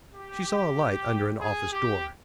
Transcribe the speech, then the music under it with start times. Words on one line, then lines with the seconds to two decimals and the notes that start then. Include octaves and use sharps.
She saw a light under an office door.
0.14 G4
1.40 G#4
1.72 G4